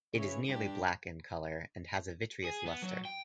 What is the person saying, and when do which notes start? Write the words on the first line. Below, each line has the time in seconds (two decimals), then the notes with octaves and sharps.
It is nearly black in color and has a vitreous luster.
0.14 C#3 E3 C#5
0.49 G2 D4 G4
2.44 G#4
2.66 B3
2.82 F#3
3.05 G5